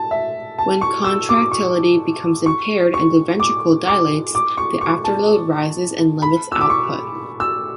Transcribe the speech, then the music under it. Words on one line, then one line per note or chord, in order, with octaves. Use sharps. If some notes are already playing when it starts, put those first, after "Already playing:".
When contractility becomes impaired and the ventricle dilates, the afterload rises and limits output.
Already playing: A5
E5
A5
C#6
E6
D6
C#6
C#6
C#6
D6
D6
D6
C#6
C#6
A5
B5
E6
D6
C#6
E6